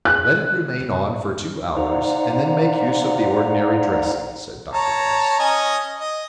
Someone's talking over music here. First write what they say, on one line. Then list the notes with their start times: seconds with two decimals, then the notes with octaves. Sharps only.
"Let it remain on for two hours, and then make use of the ordinary dressing," said Dr. S--.
0.05 F#6
1.77 D#4 C5 D5 F5 F#5 A#5
4.73 C#5 A5 A#5
5.39 C#4 D#5 G#5
5.99 D#5